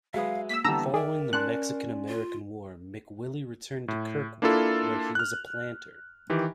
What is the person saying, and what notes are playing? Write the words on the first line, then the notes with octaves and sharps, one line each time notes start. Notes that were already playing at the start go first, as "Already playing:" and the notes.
Following the Mexican-American War, McWillie returned to Kirkwood, where he was a planter.
F#3 G#3 B4 E5 F5 D#6
A#3 E6 B6
D3 E3 G3 B3 A5 A#5 E6
G#4 A#4 D5 E5 G5
C#4 D5 A5 C6 F#6
F4
A2
A#3 D4 E4 F4 A4
F6 F#6
D#3 E3 G4